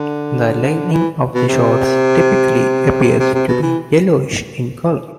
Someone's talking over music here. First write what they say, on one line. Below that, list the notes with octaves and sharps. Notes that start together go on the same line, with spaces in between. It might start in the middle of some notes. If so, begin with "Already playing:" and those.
The lighting of the shots typically appears to be yellowish in color.
Already playing: D3
E3
B2
C3
C3
C3
B2
E3